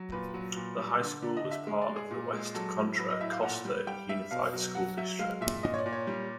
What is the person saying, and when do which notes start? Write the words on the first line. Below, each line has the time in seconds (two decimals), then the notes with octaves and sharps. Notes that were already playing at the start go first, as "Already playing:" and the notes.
The high school is part of the West Contra Costa Unified School District.
Already playing: F#3
0.12 A#2 B4
0.34 F#3
0.56 A#2
0.78 G3
1.00 D3
1.22 D3 D5
1.37 D#5
1.44 D3
1.51 E5
1.67 G#3
1.82 D5
1.89 G#3
1.96 G#4
2.11 A#2
2.33 G#3
2.55 F#3 A4
2.77 A2
2.98 F#3 B4
3.10 D#5
3.21 A2 E5
3.32 F5
3.43 A#2 F#5
3.65 G3
3.87 G3 G5
4.09 G3 E5
4.31 B2 F5
4.53 F#3
4.75 F#3 F#5
4.97 F#3 E5
5.19 G#3 F5
5.41 A#2 E5
5.63 A#2 D#5
5.74 C#5
5.78 D5
5.86 A#2
5.93 C#5
6.07 G3